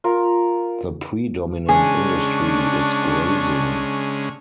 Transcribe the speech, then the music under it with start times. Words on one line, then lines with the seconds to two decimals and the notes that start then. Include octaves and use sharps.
The predominant industry is grazing.
0.04 F4 A#4
1.69 C#3 G#3 D4 G#4 C#6